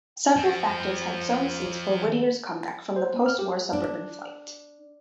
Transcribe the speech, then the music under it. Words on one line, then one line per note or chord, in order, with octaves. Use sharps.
Several factors had sown seeds for Whittier's comeback from the post-war suburban flight.
F3 C4
C5
A#3
F6
G4
D4